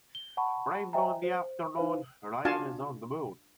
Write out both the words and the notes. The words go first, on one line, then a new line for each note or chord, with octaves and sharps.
Rainbow in the afternoon, rain is on the moon.
G7
F#5 A5 B5 C#6
C5 D#5 E5 G5 G#5 A#5
C5
D#4 E4 B4 C5 F5
D4 F4 F#4 F5 G#5 A5